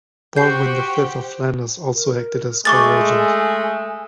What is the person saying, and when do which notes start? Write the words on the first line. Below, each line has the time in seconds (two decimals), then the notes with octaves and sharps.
Baldwin the Fifth of Flanders also acted as co-regent.
0.36 F#4 G4 C5 G5 G6 C7
1.95 A#4
2.65 G#3 A3 G#5 C#6 D6 A6